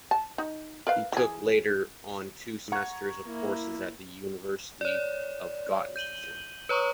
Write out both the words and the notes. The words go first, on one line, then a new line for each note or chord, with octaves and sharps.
He took later on two semesters of courses at the University of Göttingen.
A5
D#4
A#4 B4 F5
E3 G#4
F#5 A#5 C#6 G#6
A#3 E4
C#5 D5
G6 D#7 F#7 G7
B4 C#5 A#5 C#6 D#6